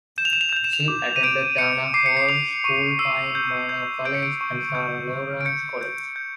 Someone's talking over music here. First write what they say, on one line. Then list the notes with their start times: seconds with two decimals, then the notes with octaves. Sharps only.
She attended Dana Hall School, Pine Manor College and Sarah Lawrence College.
0.18 G6 E7
0.25 F7
0.33 E7
0.41 F7
0.49 E7
0.53 G6 F7
0.64 E7
0.73 F7
0.80 E7
0.88 D6
1.16 D#7
1.23 G6 D7
1.58 G6 C#7
1.94 D6 C7
2.06 C#7
2.17 C7
2.29 D6 F7
2.64 C#6 D#7
2.99 E6 C7
3.35 G6
3.69 G6
4.05 G6 D7
4.14 C#7
4.23 D7
4.41 C#6
4.75 G6
5.10 C#6
5.41 D7
5.45 G6 C#7
5.81 G6
6.16 G6